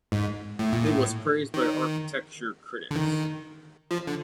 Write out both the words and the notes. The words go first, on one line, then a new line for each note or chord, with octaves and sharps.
It was praised by architecture critics.
G#2
A2
A#2
A2
D#3
D3
D#3
F3
D3